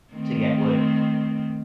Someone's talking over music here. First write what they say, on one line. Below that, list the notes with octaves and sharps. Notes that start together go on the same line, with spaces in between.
to get what
D#3 A3 C4